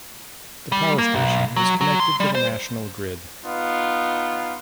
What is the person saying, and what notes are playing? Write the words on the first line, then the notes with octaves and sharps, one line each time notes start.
The power station is connected to the national grid.
G3
A#3
B1
F#3
F#3
C6
G3
C5
B3 D#4 F4